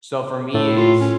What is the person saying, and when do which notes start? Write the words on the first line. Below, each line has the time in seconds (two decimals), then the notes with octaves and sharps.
So for me, it's
0.54 A2 A4
0.77 F4
1.01 C#4